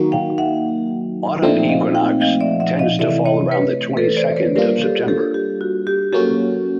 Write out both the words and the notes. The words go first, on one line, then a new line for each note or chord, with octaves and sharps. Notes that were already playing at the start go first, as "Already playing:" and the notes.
Autumn equinox tends to fall around the twenty-second of September.
Already playing: D#3 F#3 A#3 D#4 F#4
F5 G5
E5 F#5
A#2 F3 A3 C4 D#4 D5 E5
E5
D#5 F5
F5 G5
D#5 F5
D5 E5
E5 F#5
D#5 F5
C3 E3 A3 D5 E5
C#5 D#5
B4 C#5
A4 B4
C5 D5
B4 C#5
G3 A#3 D4 F4 A#4 C5
G4 A4
G4 A4
G4
F#4
G4
F#3 A#3 C#4 F#4 G4 A4